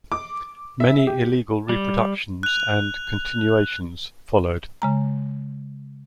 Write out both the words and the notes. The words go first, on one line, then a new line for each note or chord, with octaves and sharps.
Many illegal reproductions and "continuations" followed.
D6
E5
G4
G3
F#6 F7
C#3 G#3 A#5